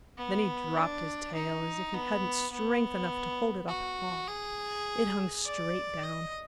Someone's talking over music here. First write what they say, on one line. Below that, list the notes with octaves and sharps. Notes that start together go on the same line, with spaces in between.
Then he dropped his tail as if he hadn't strength enough to hold it up at all. It hung straight down.
B3
D4
D#4
B3
B3
F#4
G#4
D5
D#5